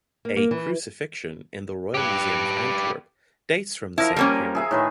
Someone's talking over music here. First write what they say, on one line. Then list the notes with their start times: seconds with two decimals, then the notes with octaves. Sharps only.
A "Crucifixion" in the Royal Museum of Antwerp dates from the same period.
0.25 A#3
0.37 A#3
0.51 E3
1.94 G4 B4
3.98 F3 E4 A#4 F5
4.16 G3 A#3 C#4
4.55 G#4 E5 G#5
4.71 A2 D#3 B4